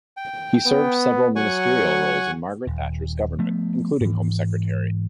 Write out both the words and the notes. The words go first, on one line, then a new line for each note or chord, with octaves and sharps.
He served several ministerial roles in Margaret Thatcher's government, including Home Secretary.
G5
B3
F#3 F#5 G#5 C#6
D#1
F3 A3 B3
G#2 E3